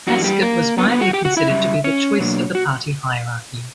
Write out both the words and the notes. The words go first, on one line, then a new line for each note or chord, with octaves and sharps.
Haskett was widely considered to be the choice of the party hierarchy.
F#2 E3 G3 A#3 D4 F#4
G3 G4
A#3 A#4
D3 F#3 A#3 B3 B4
B3 B4
F#4 F#5
G4 G5
F#4 F#5
E4 E5
F#2 C#3 G3
C#4 C#5
B2 F#3 A#3 D4
F#4